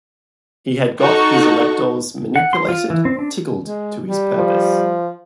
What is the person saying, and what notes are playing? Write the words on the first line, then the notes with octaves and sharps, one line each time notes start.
He had got his electors manipulated, tickled to his purpose.
D#4 F#4 A4 C#6
F#5
C6
F4
E3
C4
D4
G#3
G3
F3